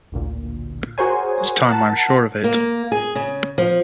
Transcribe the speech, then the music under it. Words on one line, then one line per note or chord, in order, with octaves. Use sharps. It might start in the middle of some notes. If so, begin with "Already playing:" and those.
This time I'm sure of it!
A1 D2 A#2
F#4 G#4 A#4 C5 C#5 G#5
A#4 F#5 A5
A#3
G#4
C#3
F3